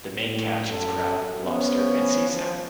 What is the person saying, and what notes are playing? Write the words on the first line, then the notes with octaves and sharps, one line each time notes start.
The main catch is crab, lobster and sea salmon.
A2
F#2 A4
F3 B3 C#4
F3